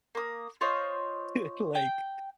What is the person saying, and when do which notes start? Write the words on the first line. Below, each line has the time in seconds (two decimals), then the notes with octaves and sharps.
It's like,
0.15 A#3 D#6
0.61 F4 C5 C#5 D#5
1.75 G5